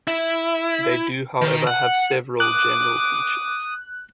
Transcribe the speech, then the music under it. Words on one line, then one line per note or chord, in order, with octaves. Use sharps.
They do however have several general features.
E4
D#3
F#5
D6 D#6 F#6